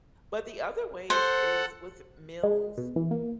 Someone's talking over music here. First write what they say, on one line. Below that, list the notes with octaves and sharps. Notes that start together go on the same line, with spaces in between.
but the other ways is with meals,
A4 C5 F#5
G#3
B2
E3
A#3